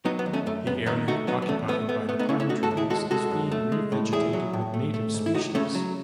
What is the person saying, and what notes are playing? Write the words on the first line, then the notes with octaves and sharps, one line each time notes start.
The area occupied by the pine trees is being revegetated with native species.
F#3 B3 D#4
B3
D#2
A3 C#4
F#2 A3
F#2 B3
D#3 B3 D#4
A3 D#4 F#4
F#3 B3 D#4
B3
E2 A3 C#4
A3 B3
A3 B3
A3 B3
B3 D#4
A3 C#4 E4
C#4 E4
A3 D#4 F#4
F#4 A4
D#2
E4 G#4
G#3 F#4 A4
G#3 F#4 A4
F#2
A3
G#3
A2
E2 E4 G#4
F#3
A2
A3
A3
G#2
E4
C#2 D#4 F#4
C#3 A3 C#4
F#3